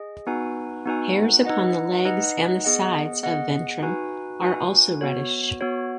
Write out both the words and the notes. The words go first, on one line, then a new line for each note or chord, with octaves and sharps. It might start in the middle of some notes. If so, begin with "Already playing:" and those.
Hairs upon the legs and the sides of ventrum are also reddish.
Already playing: G#4 D#5
B3 D#4 F#4 B4 G#5
B3 D#4 F#4 B4 G#5
D#4 B4 D#5 F#5
D#4 B4 D#5 F#5
B3 G#4 D#5 F#5
B3 G#4 D#5 F#5
D#4 F#4 B4 G#5
D#4 F#4 B4 G#5
B3 F#4 C#5
B3 F#4 C#5